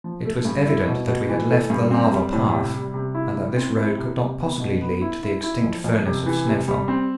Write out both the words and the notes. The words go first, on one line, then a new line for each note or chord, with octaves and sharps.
It was evident that we had left the lava path, and that this road could not possibly lead to the extinct furnace of Snaefell.
F3
A3
G2
E4
B2
B2
E3
A3
G2
C4
G3
A2
C3
G3
C3
E4
E4
C4
E4
C3
C3
B3
B2
B3
E4
E4
E4
F2
F2
C3
E3
C3
G3
C4